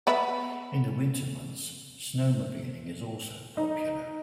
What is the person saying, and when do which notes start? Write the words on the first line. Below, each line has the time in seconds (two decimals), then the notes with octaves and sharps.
In the winter months, snowmobiling is also popular.
0.07 B3 B4 E5
3.57 D#4